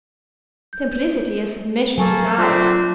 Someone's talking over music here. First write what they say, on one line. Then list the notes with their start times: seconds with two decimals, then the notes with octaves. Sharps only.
Simplicity is submission to God.
0.73 G6
1.98 F#3 A#3 A4 G#5 A5 C#6
2.38 A3 C4 D4 F4 D6 F#6